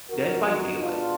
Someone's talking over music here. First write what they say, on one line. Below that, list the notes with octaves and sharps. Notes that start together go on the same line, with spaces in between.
Dead by Daylight.
F2 D3 F#3 B3 F#4 A#4
D#4 F#4
B2 G#3 B3 D4 F4